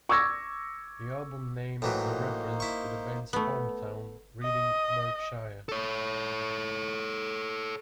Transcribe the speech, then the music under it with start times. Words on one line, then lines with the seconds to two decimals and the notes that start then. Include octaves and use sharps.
The album name is a reference to the band's hometown, Reading, Berkshire.
0.09 C#6 D6 E6 G#6 A#6
1.82 A2 E3 F#3 A#3 D#4 C5
2.60 E4 C#6
3.33 A3 B3
4.43 D#5
5.69 A4 C#5